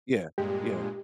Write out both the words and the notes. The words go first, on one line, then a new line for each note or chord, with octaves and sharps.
Yeah. Yeah.
G2 A#2 G#3 G4